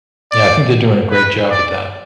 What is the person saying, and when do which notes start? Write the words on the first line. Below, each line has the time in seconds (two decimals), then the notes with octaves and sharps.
Yeah, I think they're doing a great job with that
0.32 D5
1.11 B4
1.51 D5